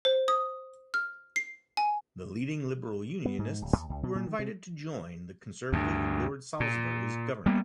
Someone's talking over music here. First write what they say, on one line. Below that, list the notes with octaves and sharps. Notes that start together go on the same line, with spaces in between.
The leading Liberal Unionists were invited to join the Conservative Lord Salisbury's government.
C5
D#6
F6
C7
G#5
B3
G#2
D1
D#2
C#2
B2
A#2
D#3
C3
D2 G2
A#2
G3 A#3 B3